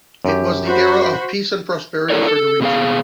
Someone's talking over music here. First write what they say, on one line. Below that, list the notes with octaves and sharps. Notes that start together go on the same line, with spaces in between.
It was the era of peace and prosperity for the region.
F#2 G4
F#4 C5 B5
E4 A4 A#4 C#5 D5
A4
B2 B3 G#4 F5